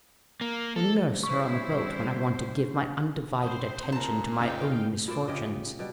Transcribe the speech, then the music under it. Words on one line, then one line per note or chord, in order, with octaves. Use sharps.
Or nurse her on the boat when I want to give my undivided attention to my own misfortunes.
A#3
A4
G3 C4 C#4 E4 C5 C#6
C4 C5 B5 D#6
A#2 A5 A#5
F1 C#3 D#4 F4 F5 G5
A#2 F4 C5 D5
C#3 G4 D#5
B2 G3